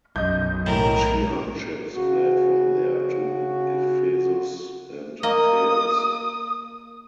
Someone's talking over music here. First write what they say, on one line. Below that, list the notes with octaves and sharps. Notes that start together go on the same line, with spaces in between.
The Chian ships fled from there to Ephesus and Teos.
B1 F#2 D#5 G6
A2 E3 A#4
C#3 F#4
A#3 D#5 D#6